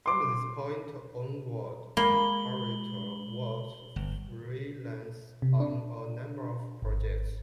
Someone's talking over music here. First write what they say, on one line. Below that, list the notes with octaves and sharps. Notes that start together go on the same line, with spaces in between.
From this point onwards, Harriott worked freelance on a number of projects.
C6 D6
G#3 A#3 B5 F#7 G7
G1
C3
D4
G#1